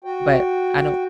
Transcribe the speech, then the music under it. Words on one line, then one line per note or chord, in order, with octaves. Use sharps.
but I don't
F#4 G5